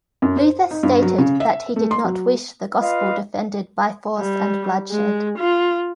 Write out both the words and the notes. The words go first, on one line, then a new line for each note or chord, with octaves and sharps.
Luther stated that he did not wish the Gospel defended by force and bloodshed.
F#2
C5
D#4
G2
F#3
C#3
E5
A3
C6
F#3
F4 B4 D#5 F5
G3
G#3
F4